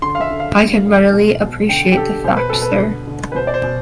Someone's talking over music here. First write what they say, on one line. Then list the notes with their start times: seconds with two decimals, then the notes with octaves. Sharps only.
I can readily appreciate the fact, sir.
0.02 D3 C6
0.15 F5
0.21 E5
0.31 D3
0.40 F5
0.58 G3
0.86 A2
1.13 B2
1.41 B2
1.69 D3 G5
1.92 G4
1.97 D3 A4
2.24 B2 C5
2.37 B4
2.50 B2 A4
2.62 B4
2.81 D3
3.07 D3
3.32 B4
3.36 B2 C5
3.47 D5
3.54 C5
3.64 B2